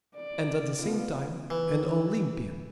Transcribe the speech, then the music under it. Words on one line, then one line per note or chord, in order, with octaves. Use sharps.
And at the same time an Olympian.
D5
B3 F4
E3